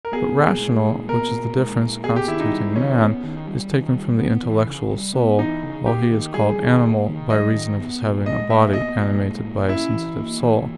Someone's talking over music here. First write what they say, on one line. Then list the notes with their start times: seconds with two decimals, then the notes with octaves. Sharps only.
But "rational," which is the difference constituting man, is taken from the intellectual soul; while he is called "animal" by reason of his having a body animated by a sensitive soul.
0.05 A#4
0.13 B3 G#4
0.37 A#2
0.60 G#3
0.85 A#2
1.09 B3 A#4
1.33 A#2
1.57 G#3
1.81 A#2
2.04 B3 G#4
2.16 G4
2.27 D#3 E4
2.40 D#4
2.52 G3
2.76 D#3 C#4
2.99 B3
3.23 D#3
3.48 G3
3.71 D#3
3.95 G3
4.19 B3
4.43 E3
4.67 C#3
4.91 G3
5.14 B3
5.39 E3 D#4
5.63 C#3
5.86 A#3 G4
6.11 D#3
6.34 G3 G#4
6.59 D#3
6.82 A#3
7.07 D#3
7.30 G3 D#5
7.54 D#3
7.79 B3
8.01 A#2
8.25 G#3 D#5
8.50 A#2 E5
8.73 B3 D#5
8.97 A#2
9.22 G#3
9.45 A#2
9.69 C#4 E4
9.93 E3
10.17 A#3
10.41 E3